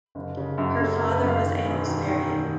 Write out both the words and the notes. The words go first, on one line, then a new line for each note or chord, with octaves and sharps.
Her father was Amos Varian.
F#1
C#3
F#2
F#2 A4
A#4
F#1
B4
F#2
F5
D#3
E1
D#3
D#3
D#3